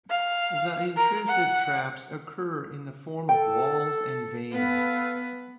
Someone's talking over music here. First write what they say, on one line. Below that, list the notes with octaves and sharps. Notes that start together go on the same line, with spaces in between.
The intrusive traps occur in the form of walls and veins.
F5
A#4
F#5
A4 G5
B3 A4 B4 F5